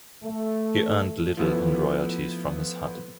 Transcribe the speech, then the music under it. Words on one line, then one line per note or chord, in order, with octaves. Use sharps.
He earned little in royalties from his hut.
A3
F3 A3 B3 E4